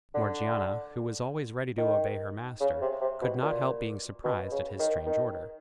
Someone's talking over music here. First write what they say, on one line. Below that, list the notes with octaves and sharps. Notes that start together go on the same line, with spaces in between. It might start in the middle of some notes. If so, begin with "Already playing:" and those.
Morgiana, who was always ready to obey her master, could not help being surprised at his strange order.
D3
D#3
C#3
C3
C3
B2
A#2
B2
C#3
D#3
D#3